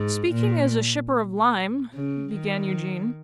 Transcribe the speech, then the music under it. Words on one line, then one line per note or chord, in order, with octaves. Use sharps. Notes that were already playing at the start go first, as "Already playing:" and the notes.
'Speaking as a shipper of lime--' began Eugene.
Already playing: G#2
A#2
C#3
D#3